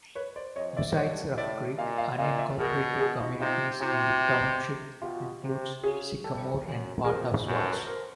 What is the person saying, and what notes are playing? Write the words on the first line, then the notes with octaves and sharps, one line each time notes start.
Besides Ruff Creek, unincorporated communities in the township include Sycamore and part of Swarts.
B4 C#5
C5 D5
F2 C#5 D#5
D5 E5
G2 C#5 D#5
A2 D5 E5
A#2 D#5 F5
D#5 F5
A#2 D#5 F5
D5 E5
B2 G#4 A#4
F#4 G#4
D#4 F4
C3 D#4 F4
C3 E4 F#4
B2 F4 G4
C3
C#3 F#4 G#4
G2 G4 A4
F#2
F2 G#4 A#4
F#2
A4 B4
A4 B4
A#4 C5